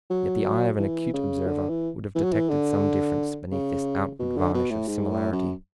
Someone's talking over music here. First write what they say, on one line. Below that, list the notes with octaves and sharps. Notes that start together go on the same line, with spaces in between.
Yet the eye of an acute observer would have detected some difference beneath this outward varnish of similarity.
F#3
E3
C#3
D3
E3
E3
F#3
E3
D3
C#3
B2
D3
B2
A2
G#2
A2
F#2